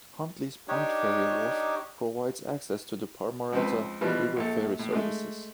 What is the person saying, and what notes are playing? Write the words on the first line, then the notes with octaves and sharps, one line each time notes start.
Huntleys Point ferry wharf provides access to the Parramatta River ferry services.
D4 D#4 G4 C#5
C#2 F3 C4 B4
B2 E3 F3 G3
A#1 A4
A2
G#3 A3